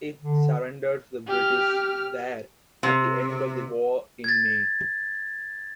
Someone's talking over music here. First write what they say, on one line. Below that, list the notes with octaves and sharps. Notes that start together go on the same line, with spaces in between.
It surrendered to the British there at the end of the war in May.
D3
G4 F6
C3
G#6 A6